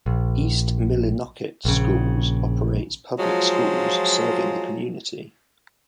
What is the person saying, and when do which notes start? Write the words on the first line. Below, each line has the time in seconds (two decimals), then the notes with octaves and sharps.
East Millinocket Schools operates public schools serving the community.
0.06 A#1
1.65 A#1 C#3
3.18 F3 F#3 G#3 F4